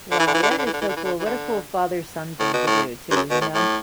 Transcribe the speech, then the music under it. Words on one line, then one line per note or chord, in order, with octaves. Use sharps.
Wow, that is so cool. What a cool father-son thing to do, too, you know?
D3
E3
D3
E3
D3
E3
D3
E3
D3
E3
D3
E3
D3
E3
D3
A2
B2
A2
G2
F#2
B2
A2
A2